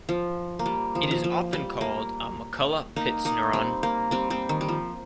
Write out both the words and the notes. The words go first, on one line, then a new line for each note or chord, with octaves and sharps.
It is often called a McCulloch-Pitts neuron.
F3
A#3
G3
F3
D#3
F3
F3
G3
A#3
A#3 D#4
A#3 D#4
G3 C4
A#3
G3 C4
G3 C4
D#3
G3
F3